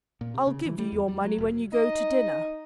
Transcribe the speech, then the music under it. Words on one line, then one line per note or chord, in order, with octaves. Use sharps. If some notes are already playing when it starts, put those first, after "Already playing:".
I'll give you your money when you go to dinner.
A#2
C3
C#3
E3
G3
E2
G3
F#3
F1
D#4 D#5